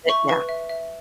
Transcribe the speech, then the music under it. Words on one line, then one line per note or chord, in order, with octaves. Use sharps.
but yeah.
E5 C#6
B4
E5
E5